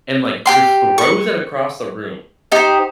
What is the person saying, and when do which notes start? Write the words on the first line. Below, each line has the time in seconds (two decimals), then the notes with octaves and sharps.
and, like, just throws it across the room,
0.46 G4 G5 C6
0.98 C#6
2.52 D#4 G4 C5